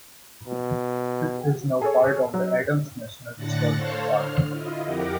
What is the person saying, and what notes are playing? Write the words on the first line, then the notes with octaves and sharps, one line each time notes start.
It is now part of the Adams National Historical Park.
B2
G#4 A4 C#5
F#3
A2 D3 F#6 A6 A#6 C#7
A4 C5 C#5 F5
D3 F6
E4 F4 D#5
F2 G4 A#4 F#5 A#5 D6